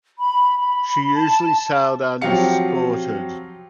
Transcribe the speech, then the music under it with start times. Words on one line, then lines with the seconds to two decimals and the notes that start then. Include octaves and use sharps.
She usually sailed unescorted.
0.18 B5
0.59 B5
1.13 A5
2.21 F3 F#3 C4 G4 F5 C#7